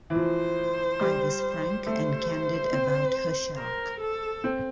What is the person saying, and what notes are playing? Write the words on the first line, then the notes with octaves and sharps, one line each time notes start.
I was frank and candid about her shark.
E3
F3 C5
G3
A3 C5
C4
A#4
A4
C4